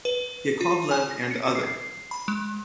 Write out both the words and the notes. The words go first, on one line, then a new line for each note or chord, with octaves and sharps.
Yakovlev and other.
B4
F4
G#5
A#6
C#7
C7
B5
G#3